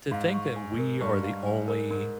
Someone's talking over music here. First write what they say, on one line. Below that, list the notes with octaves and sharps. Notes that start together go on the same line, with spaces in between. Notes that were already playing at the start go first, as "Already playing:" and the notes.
to think that we are the only
G#2 F5
C#6
G#5
A#4
G2 C#6
F5
G#5
A#4
G#2 A#4